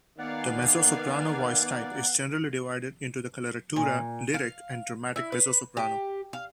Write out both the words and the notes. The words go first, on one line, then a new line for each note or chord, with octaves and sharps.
The mezzo-soprano voice type is generally divided into the coloratura, lyric, and dramatic mezzo-soprano.
D#3 A#3 B3 D5 F5 F#5 G#5
A#2
F5
E4
B4
G4
F5